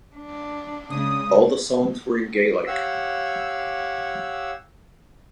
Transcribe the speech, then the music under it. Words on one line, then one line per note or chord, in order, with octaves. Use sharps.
All the songs were in Gaelic.
D4
C#3 G#3 D#6
G4 C#5 F5 F#5 E6